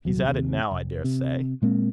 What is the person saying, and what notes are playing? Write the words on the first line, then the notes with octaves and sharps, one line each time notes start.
He's at it now, I daresay.
D#1 C2 F#3
D#2 C3
F1
C3
A#2 G#3 A#3 C4